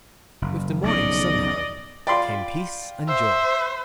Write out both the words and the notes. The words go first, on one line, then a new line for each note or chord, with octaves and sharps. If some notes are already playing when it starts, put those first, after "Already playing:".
With the morning sun, however, came peace and joy.
F#1
B1 F2 C#3 D5 D#5
F4 D5 G5 B5 C6
C5 E5